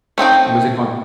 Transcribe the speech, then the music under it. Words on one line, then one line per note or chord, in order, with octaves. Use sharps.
Was it called?
A3 C4 D#4 G5